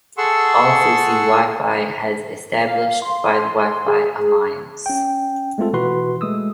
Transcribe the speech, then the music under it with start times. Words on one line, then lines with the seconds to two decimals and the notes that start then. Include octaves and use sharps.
Also see Wi-Fi as established by the Wi-Fi Alliance.
0.18 G#4 A4 F#5 C6 C#6 E6
2.67 F5
3.02 C6
3.88 G#4
4.86 C#4 G5
5.58 G#3 A3 C4 F4 A4
5.73 B2 E3 F#4 B4 C6
6.21 G#3 A3 D#6 E6